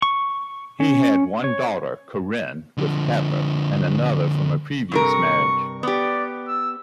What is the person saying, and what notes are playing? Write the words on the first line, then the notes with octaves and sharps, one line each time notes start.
He had one daughter, Corinne, with Pepper, and another from a previous marriage.
C#6
C#4
C#5
D3 F3
G2 C3 A#4 C#6
B3 G4 D5
E6